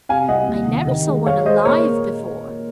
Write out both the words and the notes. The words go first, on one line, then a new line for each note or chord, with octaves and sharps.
I never saw one alive before!'
C3 F5 G#5
C2 D#5 F#5
D#2
D#3
D#3
G#3
G#3 C#5 F5
G#3 C5 D#5
A#2 A#4 C#5